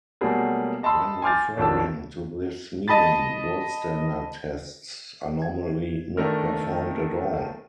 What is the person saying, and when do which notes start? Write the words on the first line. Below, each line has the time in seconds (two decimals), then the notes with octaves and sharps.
When referring to this meaning, gold standard tests are normally not performed at all.
0.21 B2 F#3 G3 A3 A#3 G#4
0.83 D#5 A5 B5 C6 E6
1.22 G#5 C6 D6 F6 G6 A6
1.57 B1 F2 D#3 D4 A5 E6
2.88 D#5 A5 B5 A6
5.42 G#6
6.17 D#3 A3 D4 A4 A#4 F6